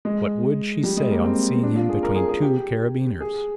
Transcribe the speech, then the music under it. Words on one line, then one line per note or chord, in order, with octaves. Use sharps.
What would she say on seeing him between two Carabineers?
G#3
G3
G#3
A#3
C4
D4
F4
G#4
A#4
G#4
G#4
G4
G#4